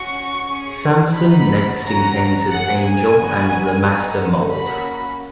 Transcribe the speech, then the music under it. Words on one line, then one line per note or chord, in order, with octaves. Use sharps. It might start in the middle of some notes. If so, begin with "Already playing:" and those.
Samson next encounters Angel and the Master Mold.
Already playing: C#4 F#4 C#6
C#4 G#4
B3 D#4 F#4 B5
C#4 F#4 A#5
A#3 C#4 G#4 F#5
G#5
B3 D#4 F#4
B3 D#4 F#4
A#3 C#4 F#4 B5